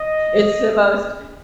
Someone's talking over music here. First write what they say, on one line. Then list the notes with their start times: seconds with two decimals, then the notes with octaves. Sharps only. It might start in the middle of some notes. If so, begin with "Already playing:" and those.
It's the most
Already playing: D#5